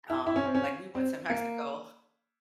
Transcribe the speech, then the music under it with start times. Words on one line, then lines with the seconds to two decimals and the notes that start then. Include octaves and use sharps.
um, like, we went to Mexico.
0.10 E4
0.27 E4
0.36 C#4
0.45 C4
0.55 C#4
0.95 C4
1.30 A#3